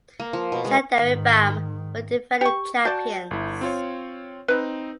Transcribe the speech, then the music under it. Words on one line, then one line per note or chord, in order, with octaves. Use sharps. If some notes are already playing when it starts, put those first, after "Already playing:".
Shahrdari Bam were the defending champions.
A#3
F3
B2
G#3
G#2 D#3
G4 C#6
F#4 D5 A5 G6
G1 E4
C4 F4 C#5
C4 D#4 B4